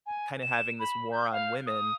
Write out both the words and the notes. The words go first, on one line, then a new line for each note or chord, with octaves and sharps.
kinda having this war on women,
G#5
E7
B5
G6
F5
D#6